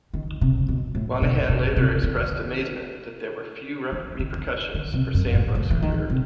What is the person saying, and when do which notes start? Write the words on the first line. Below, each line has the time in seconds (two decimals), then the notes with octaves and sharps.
Moynihan later expressed amazement that there were few repercussions for Sandbrook's career.
0.14 D#3
0.41 C3
0.68 B2
0.95 A2
1.22 B2
1.49 B2
1.76 C3
2.03 D#3
3.92 E3
4.19 D#3
4.74 D#3
4.94 C3
5.14 F#2
5.35 A2
5.55 A2
5.70 E3
5.82 D#3
6.10 C3